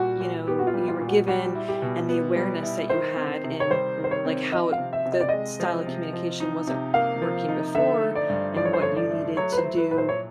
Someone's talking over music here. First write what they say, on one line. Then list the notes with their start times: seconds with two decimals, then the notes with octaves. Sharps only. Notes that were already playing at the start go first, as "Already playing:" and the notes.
you know, you were given, and the awareness that you had in, like, how the style of communication wasn't working before and what you needed to do,
Already playing: A#2 G3 F#4
0.20 A#2
0.47 B3 G4
0.59 F#4
0.67 F4
0.74 G3
0.88 F4
1.01 A#2
1.08 F#4
1.28 G3 F#4
1.55 E4
1.69 G4
1.82 B2
2.09 B3
2.36 G3
2.63 E4
2.90 D#3 C5
3.16 C4
3.44 C3
3.60 C#5
3.71 G3 C5
3.98 D#3
4.04 C5
4.11 C#5
4.25 C4
4.52 F3 D#5
4.72 F5
4.78 C3
4.93 E5
5.06 C3
5.12 D#5
5.21 D5
5.29 G#3 D#5
5.60 F3
5.87 C3
6.13 F3
6.40 D#4
6.67 C3
6.94 A#3 F5
7.22 F3
7.49 D#4
7.75 D3 E5
8.02 A3
8.15 D5
8.30 G2
8.57 F3 D5
8.65 C#5
8.73 C5
8.82 D3 C#5
8.97 D5
9.10 A3
9.37 F#3 C#5
9.52 B4
9.57 C5
9.64 E4
9.77 B4
9.91 A#2 B4
9.98 C5
10.09 C#5